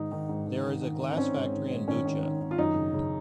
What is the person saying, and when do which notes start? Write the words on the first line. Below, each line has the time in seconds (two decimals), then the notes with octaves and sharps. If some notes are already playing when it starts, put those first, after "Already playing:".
There is a glass factory in Bucha.
Already playing: G#2 D#3 D#4
0.12 D#3
0.29 G#2
0.47 D#3
0.64 D#3
0.82 D#3
1.00 D#3
1.11 C4
1.17 D#3 C#4
1.35 G#2
1.52 D#3
1.70 G#2
1.88 D#3 C#4
2.06 D#3
2.23 D#3
2.41 D#3
2.51 F4
2.58 F#2 D#4
2.76 C#3
2.93 C#3